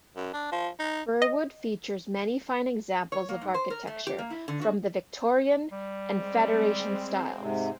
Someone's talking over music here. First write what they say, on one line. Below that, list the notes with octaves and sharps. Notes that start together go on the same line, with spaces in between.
Burwood features many fine examples of architecture from the Victorian and Federation styles.
F#2
D4
F3
D#4
D#5
C#5
A#3
G#2
C5
A#4
A3
G4
A#3
E4
D3
F#4
G3
G#3 C4
G#2 C3